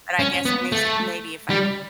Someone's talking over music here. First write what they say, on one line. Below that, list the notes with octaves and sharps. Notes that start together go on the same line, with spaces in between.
but I guess macy maybe if I
C#4
B3
A3
G3